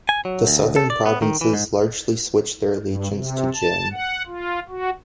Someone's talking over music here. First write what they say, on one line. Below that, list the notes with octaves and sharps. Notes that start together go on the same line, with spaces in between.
The southern provinces largely switched their allegiance to Jin.
G#5
F#3
D2
A4
D5
B3
D#3
E3
G#2
G2
C3
A5
F#5
F4
F#4